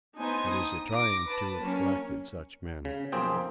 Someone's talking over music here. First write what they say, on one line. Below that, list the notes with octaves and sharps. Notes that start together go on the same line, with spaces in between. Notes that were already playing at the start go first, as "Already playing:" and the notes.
It is a triumph to have collected such men.
B3 D4 D#4 C5 G#5
D#6
D6 A#6
B4 A5
F#3 A#3 C#4
C#3
B1 F2 A#3 C4 G#4 G5